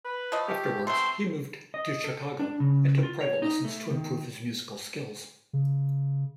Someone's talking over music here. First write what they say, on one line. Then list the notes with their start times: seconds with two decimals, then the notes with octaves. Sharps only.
Afterwards he moved to Chicago and took private lessons to improve his musical skills.
0.05 B4
0.32 F3 A3 D#5
0.48 G4
0.87 B2 A3 C4 C6
1.74 D#5
2.04 A4
2.39 D4
2.60 C#3
3.03 F4
3.21 C#5
3.42 D#4
3.65 A3
3.91 D#3
5.53 C#3